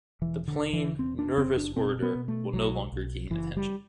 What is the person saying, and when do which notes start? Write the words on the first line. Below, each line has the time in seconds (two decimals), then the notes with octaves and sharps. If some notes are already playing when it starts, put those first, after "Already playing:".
The plain nervous orator will no longer gain attention.
0.22 E1 E3
0.48 D3
0.61 E1
0.73 E3
0.99 E2 C4
1.19 D4
1.38 F#1 C4
1.57 D4
1.76 B2 C4
2.02 B3
2.15 B2
2.28 A3
2.53 B1 F#3
2.92 B1
3.30 F#1 E3
3.57 G3